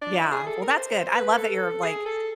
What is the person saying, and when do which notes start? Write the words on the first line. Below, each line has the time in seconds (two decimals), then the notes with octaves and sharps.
Yeah. Well that's good, I love that you're like
0.02 D4
0.17 E4
0.32 G#4
0.47 A4
0.62 A#4
0.77 C5
0.92 C5
1.15 B4
1.37 A4
1.83 G#4
2.06 A4